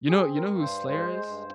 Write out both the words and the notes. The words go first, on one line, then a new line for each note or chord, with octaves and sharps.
You know you know who Slayr is?
C4 G#4
A#4
G2
C5
G#3 C5
G2